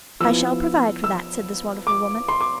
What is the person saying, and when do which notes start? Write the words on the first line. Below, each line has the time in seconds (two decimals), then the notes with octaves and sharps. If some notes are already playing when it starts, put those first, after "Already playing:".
"I shall provide for that," said this wonderful woman.
0.20 F3 B3 E4 E6
1.04 E6
1.87 D6
2.28 C6
2.41 D6